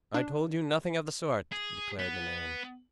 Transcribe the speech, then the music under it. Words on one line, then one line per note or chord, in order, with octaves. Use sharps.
"I told you nothing of the sort!" declared the man.
D4
G#4
B3